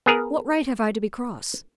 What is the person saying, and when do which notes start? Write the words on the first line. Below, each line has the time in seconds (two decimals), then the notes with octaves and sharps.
"What right have I to be cross?"
0.06 B3 G#4 A#4